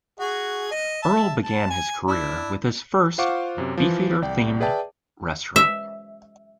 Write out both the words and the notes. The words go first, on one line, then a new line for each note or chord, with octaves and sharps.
Earl began his career with his first Beefeater-themed restaurant.
F#4 G#4
D#5
E5 A5
A5
G#5
D4 E4
F4 C5 F5 F#5 C#6 D6
F#2 C3
E3 F3
C2 D5 G5
G#4 B4 D5 E5 G5 A5
E5